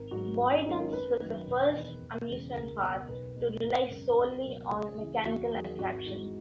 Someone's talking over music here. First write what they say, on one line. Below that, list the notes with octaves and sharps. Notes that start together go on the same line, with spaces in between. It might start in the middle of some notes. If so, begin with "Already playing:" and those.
Boyton's was the first amusement park to rely solely on mechanical attractions.
Already playing: G#1 A#4
G#2 F#3 A#3 F#4
G#1
C#4
G#2 D#3 F#3 A#3 D#4
A#4
F#2 B4
D#3 F#3
E1
E2 D#3
E1
E2 C#3 G#3
C#2 A#4
B2 A#3
B1 B4
B2 G#3
G#1 A#4
F#2 C#3 G#3
C#2
B2 F#3 A#3
C#2 G#4
C#3 E3
E2 F#4
D#3 F#3 A#3 G#4
G#1 F#4
G#2 E3 G#3